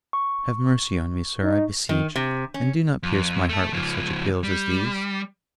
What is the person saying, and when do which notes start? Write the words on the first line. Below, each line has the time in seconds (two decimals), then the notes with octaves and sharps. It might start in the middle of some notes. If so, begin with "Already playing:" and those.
Have mercy on me, sir, I beseech, and do not pierce my heart with such appeals as these.
0.13 C#6
1.44 D#4
1.89 D#3
2.16 C3
2.54 C#4
3.03 F2
3.49 A3 A4
3.73 C#2 F3
4.43 G3